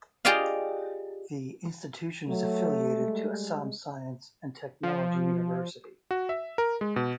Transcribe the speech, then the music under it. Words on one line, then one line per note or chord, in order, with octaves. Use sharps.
The institution is affiliated to Assam Science and Technology University.
F4 G4 G#4 D5 D#5 F5
F#3 A3
G3 G#3
F3
F#4
E5
A#4
G#3
B2